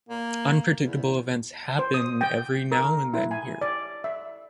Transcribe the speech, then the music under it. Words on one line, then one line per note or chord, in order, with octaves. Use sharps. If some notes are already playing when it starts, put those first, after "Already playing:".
Unpredictable events happen every now and then here.
A#3
E2
C5
D#6
G5
A#4
E4
G#5
D5
E5